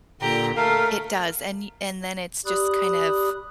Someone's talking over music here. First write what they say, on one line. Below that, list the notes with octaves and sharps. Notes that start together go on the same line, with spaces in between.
It does, and you and then it's just kind of
A#2 D3 G4 A#5
A3 A#4 F5
G4 D5 B5 D#6 F#6